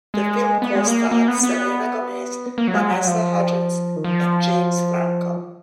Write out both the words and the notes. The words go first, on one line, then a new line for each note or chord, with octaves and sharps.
The film co-starred Selena Gomez, Vanessa Hudgens, and James Franco.
G#3
B3
G#3
A#3
A#3
B3
B3
A#3
F#3
G#3
F#3
F3
D#3
F3